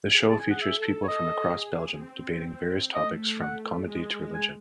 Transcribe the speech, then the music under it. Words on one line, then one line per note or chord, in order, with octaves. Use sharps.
The show features people from across Belgium debating various topics from comedy to religion.
G#4
A5
G#5
G#4 F#5
E5
A4
C#5
A4 D#5
G#4
C4
A3 D#5
F#5
G#3
G#5